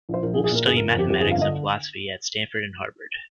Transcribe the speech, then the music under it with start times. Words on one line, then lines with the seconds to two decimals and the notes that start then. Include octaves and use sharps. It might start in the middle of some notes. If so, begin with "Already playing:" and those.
Wolff studied mathematics and philosophy at Stanford and Harvard.
0.09 A#1
0.14 C5
0.23 A#1 A#4
0.34 G#4
0.38 A#1
0.44 G#4
0.51 A#2 A#4
0.66 G1 G#4
0.77 A#4
0.81 G1
0.89 A#4
0.95 F2 G4
1.10 F2 G4
1.21 G#4
1.24 G1
1.31 F5
1.38 D3 D#5